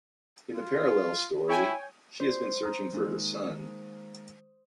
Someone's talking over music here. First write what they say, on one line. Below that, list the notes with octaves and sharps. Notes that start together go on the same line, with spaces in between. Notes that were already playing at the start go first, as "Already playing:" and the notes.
In a parallel story, she has been searching for her son.
F4
E4 C#5 G5 G#5
C5
A#5 D#6
D#3 G#3 A#3